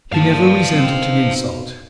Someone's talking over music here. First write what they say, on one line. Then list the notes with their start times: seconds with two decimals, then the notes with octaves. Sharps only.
He never resented an insult.
0.12 G2 E3 G3 A#3 F5 A5
0.73 B2 C4 D#4